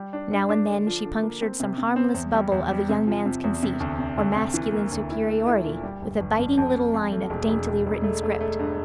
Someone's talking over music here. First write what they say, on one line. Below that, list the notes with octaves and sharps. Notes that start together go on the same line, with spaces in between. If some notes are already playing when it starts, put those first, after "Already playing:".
Now and then she punctured some harmless bubble of a young man's conceit or masculine superiority with a biting little line of daintily written script.
Already playing: G3
D4
G2
D4
D3
F3
D3
A#3
C4
C3
C3
C4
E2
G3
E2
G3
C3
F3
C3
E2
C3
D2
C3
D2
C3
E3
A#3
D2
E4
A3
E4
A#2
G3
G1
G1
F2
F2
F2
F2
A3
E1
E1
E1
E1
A3
A3
A3
G2